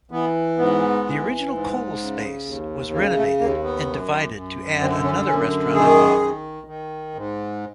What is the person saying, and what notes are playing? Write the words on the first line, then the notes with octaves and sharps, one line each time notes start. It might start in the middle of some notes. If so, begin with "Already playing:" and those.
The original Cole's space was renovated and divided to add another restaurant and bar.
E3 B3
G#2 B3
E3
G#2
C#3
D#2
C#3 A#3
A3
D#2 A#3
B3
F#2
F#2
D3 C4
C#4
F#2 C#4
D#3 G#4
D#3
D#3
G#2